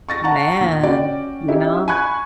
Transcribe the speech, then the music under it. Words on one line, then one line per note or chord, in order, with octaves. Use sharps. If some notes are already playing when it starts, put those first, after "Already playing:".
Man, you know,
C#6 A6 A#6
F#5 A5 A#5 C#6
D#2 A#2
C#4 F#4 D5 G5
C#4 D#4 E4 G4
G#5 B5 C#6 F#6 G#6